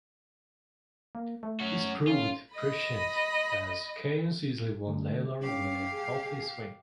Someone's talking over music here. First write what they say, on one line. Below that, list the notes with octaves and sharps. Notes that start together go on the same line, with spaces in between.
This proved prescient, as Cairns easily won Lalor with a healthy swing.
A#3
A3
F#3 C#4 F#4
C#4 F4
D#5 B5
D3 A3
C#4 G4 F5
G#4